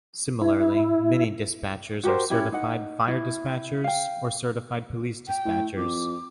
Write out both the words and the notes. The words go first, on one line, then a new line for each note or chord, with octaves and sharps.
Similarly, many dispatchers are Certified Fire Dispatchers or Certified Police Dispatchers.
E4
F#4 G4 A#4 C5
C#4 D#4 E4 G4
D#4 F#5
E4
F5 G5
G5
A2
F2 D6